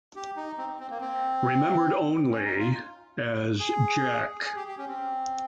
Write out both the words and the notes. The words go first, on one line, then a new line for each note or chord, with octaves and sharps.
Remembered only...as Jack.
G4
D#4
C4
C4
A#3
C4
C#4
D#4
F4
G#4
G#4
G4
G4
C#4
C4